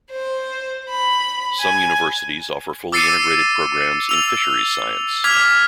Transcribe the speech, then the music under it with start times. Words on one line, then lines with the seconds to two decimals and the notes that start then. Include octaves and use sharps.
Some universities offer fully integrated programs in fisheries science.
0.11 C5
0.90 B5
1.60 G#5
2.92 D6 E6 A6 C7 C#7 D#7
4.09 E6 F7
5.24 D6 F6 G#6 B6 F7